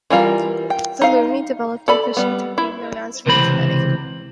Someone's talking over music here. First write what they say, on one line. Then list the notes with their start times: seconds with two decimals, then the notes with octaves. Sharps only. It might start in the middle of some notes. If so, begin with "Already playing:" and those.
The Lummi developed a fishing technique known as reef netting.
0.10 E3 G3 F4 A#4
0.70 G5
1.01 D#4 F5
1.88 A4 D5 B5
2.17 G3 B3
2.58 E4
3.26 C#2 C3 E3 C4 B5